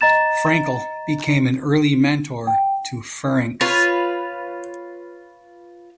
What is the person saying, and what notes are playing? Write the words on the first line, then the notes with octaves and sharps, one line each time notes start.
Frankel became an early mentor to Ferencz.
D#5 A#5 A6 E7
G5
F4 B4 C#5